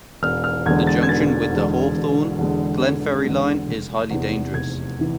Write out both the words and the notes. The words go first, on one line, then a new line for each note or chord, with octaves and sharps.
The junction with the Hawthorn - Glenferrie line is highly dangerous.
E1 F6
F6
E2 D3 G#3 G#6
A6
G#6
E1 A6
E2 D3 G#3
E1
E2 D3 G#3
E1
E2 D3 G#3
F1
E2 C3 E3
F1 G#6
C3 E3